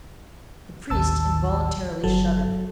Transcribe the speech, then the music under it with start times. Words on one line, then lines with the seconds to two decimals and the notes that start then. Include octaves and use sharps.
The priest involuntarily shuddered.
0.90 A1 D#2 A5 E6
2.04 G1 F#3 A4